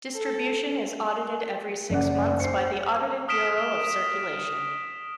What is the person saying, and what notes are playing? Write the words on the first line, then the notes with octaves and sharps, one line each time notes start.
Distribution is audited every six months by the Audited Bureau of Circulation.
A4
F#1 D5 F#5
C5 C7 C#7
D#6 F6 B6 D7 E7